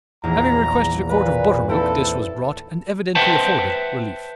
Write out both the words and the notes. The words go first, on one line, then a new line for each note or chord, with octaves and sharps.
Having requested a quart of buttermilk this was brought and evidently afforded relief.
A#1 E2 A#5
A#2 B4
C4 E4 A4 B4
B4 C5 E5 F#5 G5 A5